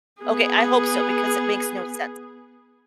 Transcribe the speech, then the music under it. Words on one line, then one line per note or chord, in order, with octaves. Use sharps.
Okay. I hope so because it makes no sense.
B3 G#4